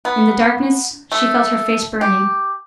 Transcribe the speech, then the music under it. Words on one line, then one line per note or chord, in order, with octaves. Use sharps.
In the darkness she felt her face burning.
B3
A3
G4